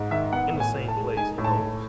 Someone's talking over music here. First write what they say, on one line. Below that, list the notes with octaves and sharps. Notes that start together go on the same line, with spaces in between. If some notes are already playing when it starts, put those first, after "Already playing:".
in the same place, you know
Already playing: G#2
D#3 E5
B3 F#5
A2
G#5
A2
A5
G#3
D#4 G#5
A2
A5
A2